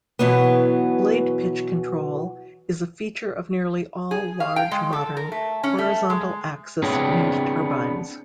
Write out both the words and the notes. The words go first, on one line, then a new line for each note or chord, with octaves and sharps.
Blade pitch control is a feature of nearly all large modern horizontal-axis wind turbines.
B2 E3 F#3 B3
G#4
F5
G5
G#3
A4
A#4
A3
C#4
A3
G#3
B3 C4 D4 G#4 C#5